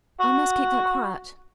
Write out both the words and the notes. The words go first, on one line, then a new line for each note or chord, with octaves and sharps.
I must keep that quiet.
F#4